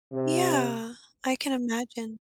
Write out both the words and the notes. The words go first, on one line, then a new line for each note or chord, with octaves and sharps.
Yeah, I can imagine.
C3